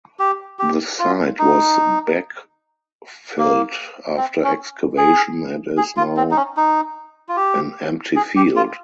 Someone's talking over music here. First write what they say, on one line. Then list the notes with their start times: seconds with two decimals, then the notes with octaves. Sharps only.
The site was backfilled after excavation and is now an empty field.
0.19 G4
0.59 G4
0.99 F4
1.39 D#4
3.38 A#3
4.17 C4
4.44 C#4
4.98 G#4
5.77 G#4
5.97 F4
6.17 C4
6.31 D#4
6.36 C#4
6.57 D#4
7.29 F4
7.36 G4
8.16 G#4
8.36 G4
8.56 F4